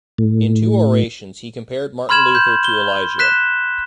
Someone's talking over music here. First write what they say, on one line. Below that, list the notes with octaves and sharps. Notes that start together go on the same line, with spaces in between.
In two orations he compared Martin Luther to Elijah.
A2
B5 C6 F6 G#6 E7 F#7
G6
G7
F#6 B6 E7